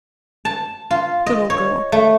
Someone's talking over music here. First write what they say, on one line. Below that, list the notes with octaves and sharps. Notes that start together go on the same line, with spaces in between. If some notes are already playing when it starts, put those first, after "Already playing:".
Little girl.
A5
F4
D#5
C#5
A3